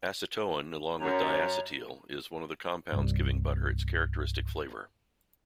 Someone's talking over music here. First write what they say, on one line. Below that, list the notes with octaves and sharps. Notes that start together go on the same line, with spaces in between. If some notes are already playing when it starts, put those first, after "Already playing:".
Acetoin, along with diacetyl, is one of the compounds giving butter its characteristic flavor.
F#2 C#5 A#5
C2 G2